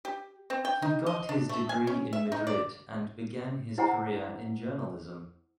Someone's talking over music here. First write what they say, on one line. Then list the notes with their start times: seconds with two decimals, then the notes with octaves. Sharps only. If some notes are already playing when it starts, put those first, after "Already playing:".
He got his degree in Madrid and began his career in journalism.
0.05 G4
0.50 C4
0.65 G5
0.82 D#4
1.07 D#5
1.29 D4
1.49 A3
1.69 G#5
1.87 C#4
2.13 E5
2.32 D#4
2.47 D5
3.78 E4 C5 F#5 G#5 A#5